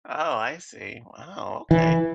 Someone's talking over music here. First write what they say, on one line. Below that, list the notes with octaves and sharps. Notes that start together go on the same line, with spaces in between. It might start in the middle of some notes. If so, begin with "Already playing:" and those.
Oh, I see. Wow, okay.
E3